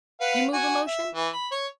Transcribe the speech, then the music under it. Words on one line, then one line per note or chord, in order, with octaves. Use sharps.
You move a motion?
B4 F5 F#5
F#4 G#5
E5
E3
B5
C#5